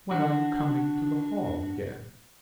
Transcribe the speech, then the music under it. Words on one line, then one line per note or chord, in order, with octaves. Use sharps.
'When are you coming to the hall again?'
D4 F#4